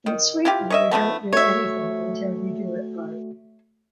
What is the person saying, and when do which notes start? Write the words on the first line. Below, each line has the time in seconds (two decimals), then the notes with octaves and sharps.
In Sweden, you don't do anything until you do it right.
0.06 D#3
0.45 E4 F4 G4
0.70 C#5 D#5 E5
0.91 F3 F#3 A3 B3
1.33 A3 F#4 C#5 E5